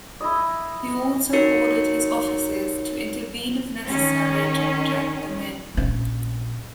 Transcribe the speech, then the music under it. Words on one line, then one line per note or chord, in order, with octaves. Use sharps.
He also ordered his officers to intervene if necessary to protect the men.
E4 D#5
D#4 F#4 A#4 C#5 C#7
D#3 C#4
A#1 C#4